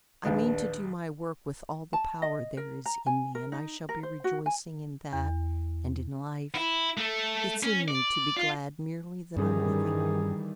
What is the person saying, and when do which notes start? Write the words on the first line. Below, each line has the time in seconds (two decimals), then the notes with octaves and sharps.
I mean to do my work with all the power there is in me, and I shall be rejoicing in that and in Life--it's in me to be glad merely that I'm living.
0.25 A#1 D#2 D4 B4
1.93 A5
2.22 D#5
2.57 A#4
2.86 A#5
3.06 G#5
3.35 A#4
3.52 D#4
3.89 A#4
4.03 C5
4.24 F#4
4.46 G#5
5.13 E2
6.55 E4
6.98 A3
7.63 C#4
7.88 D5
8.36 F4
9.37 G2 D#3 E3 G3 C#4 G#4